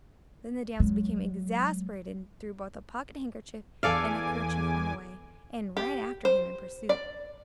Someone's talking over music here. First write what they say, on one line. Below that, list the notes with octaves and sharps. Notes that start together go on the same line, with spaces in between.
Then the damsel became exasperated, and threw both the pocket-handkerchief and the kerchief on the way, and ran after him in pursuit.
F#3 G#3
E2 A4 D5 F5 G#5 D6
G4
C5
D5